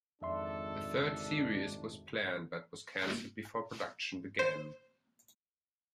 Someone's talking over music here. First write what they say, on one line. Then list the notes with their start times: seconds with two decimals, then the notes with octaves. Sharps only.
A third series was planned, but was cancelled before production began.
0.22 G#1 F2 D4 A4 E5 C6
4.39 C5